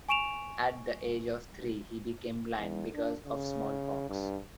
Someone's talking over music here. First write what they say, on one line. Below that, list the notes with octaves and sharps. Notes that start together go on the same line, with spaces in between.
At the age of three he became blind because of smallpox.
G#5 C#6 D7 E7 F7
E2
D4
C#3
G2